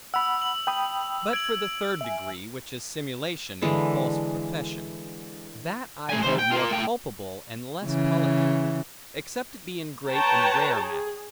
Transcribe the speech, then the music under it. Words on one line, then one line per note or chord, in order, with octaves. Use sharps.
But for the third degree, which is simulation, and false profession; that I hold more culpable, and less politic; except it be in great and rare matters.
F#5 B5 E6 F7
F#7
G5 B5 D#6
G#6 D7 F#7
E5 G#5
D3 E3 G#3
A3 G#5
D#3 C5
G5
F4 A#4
A2 G5
C#3 E3
B4 C#5 G5 A5 A#5
G#4